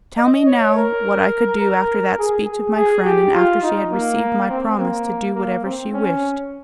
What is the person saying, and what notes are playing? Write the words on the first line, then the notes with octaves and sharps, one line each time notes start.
Tell me now what I could do after that speech of my friend, and after she had received my promise to do whatever she wished.
D#5
C#5
A#4
A#4
G#4
G#4
G#4
G4
F4
D#4
A#3
C4
A#3
A#3
C4
C#4